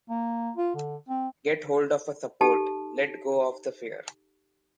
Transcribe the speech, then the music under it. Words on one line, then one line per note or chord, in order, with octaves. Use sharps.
Get hold of a support - let go of the fear.
A#3
F4
D3
C4
D#4 G4 A4 A5